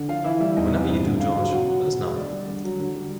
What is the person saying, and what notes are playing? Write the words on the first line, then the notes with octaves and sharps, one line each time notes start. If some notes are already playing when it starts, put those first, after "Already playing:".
Whenever you do, George, let us know.
Already playing: D3
F3 F4 F5
E3 E4 E5
G3 E4 E5
E2 D#4 D#5
C3
G2
D3
C#3 F4 F5
F#3
B2 F#4 F#5
F#3
B2
G#3
D3 D4 D5
G3
D3
F#3
D3
G3